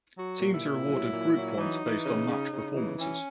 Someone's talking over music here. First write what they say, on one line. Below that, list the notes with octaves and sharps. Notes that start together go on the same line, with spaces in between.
Teams are awarded group points based on match performances.
F#3 F#4
A#2
E4
A#2
F#3
A#2
F#3
E3 D#4
E3
C#3
C#3
C#3
E3
E3 C#4